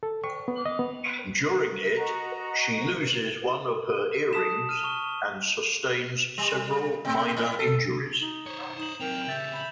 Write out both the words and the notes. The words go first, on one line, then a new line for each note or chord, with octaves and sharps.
During it, she loses one of her earrings and sustains several minor injuries.
A4
C#6
B3
D#5
B3
F#4 D#5 A#5
A5 D#6 B6 E7
F6 D#7
A5 C#6 G7
G3
B2
G#2
A4
D#4
C5 C#5
D#4 E7 F#7
F#3 C4 A#4 G5 F7
C#3 G4 E5 G6 A6 F#7
B5